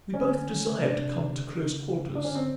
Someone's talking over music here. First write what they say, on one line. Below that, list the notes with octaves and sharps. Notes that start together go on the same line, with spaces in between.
We both desired to come to close quarters.
D3 C#4
D#3
D3
C#3
C3 D4
D3
C#3
D3 D4
C#4
C4